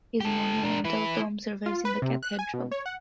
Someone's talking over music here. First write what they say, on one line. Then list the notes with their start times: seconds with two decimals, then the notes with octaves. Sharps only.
His monumental tomb survives in the cathedral.
0.20 G4 A4
0.64 D4 A#4
0.85 E4 B4
1.66 F4
1.85 B4
2.02 C3
2.23 F#6
2.39 G#5
2.54 B2
2.71 C#5
2.86 F#5